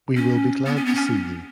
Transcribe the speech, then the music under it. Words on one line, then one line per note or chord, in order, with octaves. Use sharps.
We will be glad to see you!
C#4
B3
C#4
B3
C#4